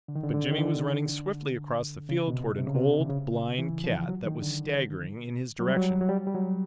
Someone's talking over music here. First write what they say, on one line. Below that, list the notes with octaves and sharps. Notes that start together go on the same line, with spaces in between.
But Jimmy was running swiftly across the field toward an old blind cat that was staggering in his direction.
D3
D#3
D3
D3
D#3
D3
D3
C#3
B2
C3
C3
C#3
C3
D3
C#3
E3
F3
F#3
D#3
D3
F#3
G3
F#3
F#3
G3
G3
F#3